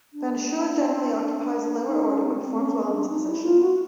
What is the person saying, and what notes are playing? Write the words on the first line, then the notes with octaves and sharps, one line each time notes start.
Van Schoor generally occupies the lower order, but performs well in this position.
D4
D#4
C#4
C4
C4
C#4
C4
D4
D#4
E4
F4
F#4